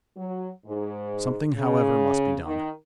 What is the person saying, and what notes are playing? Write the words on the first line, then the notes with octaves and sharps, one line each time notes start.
Something, however, must be done.
F#3
G#2
C#3
D#3